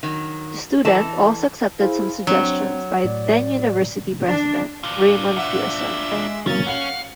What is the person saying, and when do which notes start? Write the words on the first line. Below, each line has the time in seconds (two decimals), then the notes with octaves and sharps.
"The Student" also accepted some suggestions by then university president Raymond Pearson.
0.03 D#3 F#3
0.85 E3 A4 D#5 A5
1.80 E4 G#4 C5 F5
2.27 F#3 C4 D4
3.04 A2 D5
4.26 D4
4.83 D4 F4
5.37 E5 F#5
6.11 G#3 D7
6.47 F#3 A#3 C#4 A6
6.66 F5 F#5 C#7 F#7